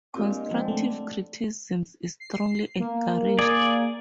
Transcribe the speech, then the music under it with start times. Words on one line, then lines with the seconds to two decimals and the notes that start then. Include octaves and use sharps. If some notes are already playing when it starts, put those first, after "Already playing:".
Constructive criticism is strongly encouraged.
0.14 A#2 C4 F4 G4
0.31 G#3 D4
0.51 D3 F3 C4
0.68 A3
2.20 C7
2.79 A#3
3.39 G#4 D5